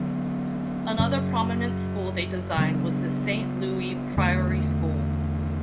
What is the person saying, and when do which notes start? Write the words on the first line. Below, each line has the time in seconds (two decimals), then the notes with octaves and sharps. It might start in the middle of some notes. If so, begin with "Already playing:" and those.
Another prominent school they designed was the Saint Louis Priory School.
Already playing: D3 F#3 B3
0.98 F#2 C#3 F#3 C#4
2.58 C#3 F#3 B3 D4
4.17 E2 D3 A3